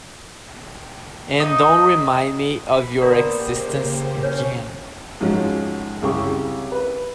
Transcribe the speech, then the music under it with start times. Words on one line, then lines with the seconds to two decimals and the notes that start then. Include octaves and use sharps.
And don’t remind me of your existence again.
1.38 D#4 D#5
2.71 B5
3.01 D3 A#3 B3 A#4 C5 D5 A#5
3.39 C#3 A#3 G4 C5
4.23 C#4 C#5
5.21 G#2 F3 C#4 F4 F#4
6.02 C2 C#3 G4 C#6
6.72 B4